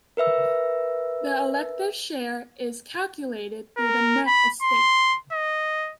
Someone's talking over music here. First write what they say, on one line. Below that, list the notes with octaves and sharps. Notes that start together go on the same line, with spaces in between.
The elective share is calculated through the net estate.
A#4 B4 E5 E6
A#4
B5
C6
D#5